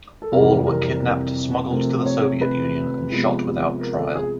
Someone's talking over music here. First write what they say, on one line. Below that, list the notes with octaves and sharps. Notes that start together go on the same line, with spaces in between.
All were kidnapped, smuggled to the Soviet Union, and shot without trial.
A4
F2 C3 E3 G3 A#4
A#4
C3 F3 A3 C4 A#4
C5
C#5
B4
C3 F3 G#3 B3
A#4
A4
G#4